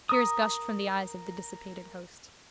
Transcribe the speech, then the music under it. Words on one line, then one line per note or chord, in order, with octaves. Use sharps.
Tears gushed from the eyes of the dissipated host.
A#4 D#6